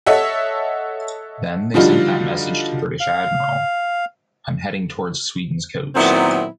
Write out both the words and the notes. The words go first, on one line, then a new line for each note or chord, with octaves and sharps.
Then, they sent that message to British admiral: “I’m heading towards Sweden’s coast”.
A4 C#5 D#5 E5 F#5
D3 F3 G3 D#4 F4 F#4
F5
A#2 D#3 F#3 B3 C4 E4